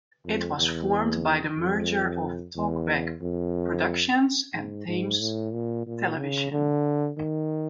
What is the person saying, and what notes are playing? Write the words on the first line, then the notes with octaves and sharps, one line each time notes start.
It was formed by the merger of Talkback Productions and Thames Television.
F2
E2
F2
E2
F2
G#2
G#2
A2
A#2
A#2
C#3
D3
D#3